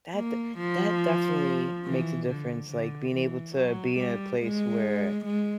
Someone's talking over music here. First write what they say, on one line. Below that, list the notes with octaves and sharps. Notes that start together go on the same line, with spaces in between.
That d that definitely makes a difference, like, being able to be in a place where
A#3
F3
E3
D3
D3
E3
F#3
G3
G#3
G#3